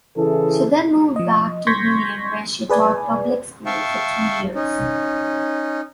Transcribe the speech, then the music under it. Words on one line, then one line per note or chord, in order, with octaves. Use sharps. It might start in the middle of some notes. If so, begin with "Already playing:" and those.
She then moved back to Wheeling where she taught public school for two years.
C#3 E3 E4 G#4 A4
F3 D#5
C6 C#6 G6 G#6 A#6 B6
G#4 B4 D5 G#5
E5 F5 G5 A5 C#6
C#4 D#4